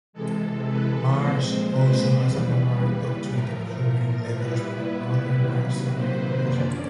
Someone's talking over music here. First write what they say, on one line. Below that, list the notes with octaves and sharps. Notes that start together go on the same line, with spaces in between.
Marsh also has an honorary Doctorate of Humane Letters from Northern Arizona University.
C3 E3 G#3 A4
B4
A#2 F3 G#3 C4 C5
B4
D#2 C#3 E3 G3
A2 F3 A3 A#4
A#2 G3 B3 E4 B4
C3 D#3 F#3 A#3
C5
F#2 D3 F3 A#3 C#4 D5